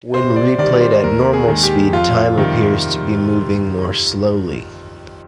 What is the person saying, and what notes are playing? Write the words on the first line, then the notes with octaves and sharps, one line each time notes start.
When replayed at normal speed, time appears to be moving more slowly.
C3 C5
D5
D#3 G3 D5
C5
D#2 A#4
G#4
D#3 G#3
G4
F2 F4
C3 D#3 G3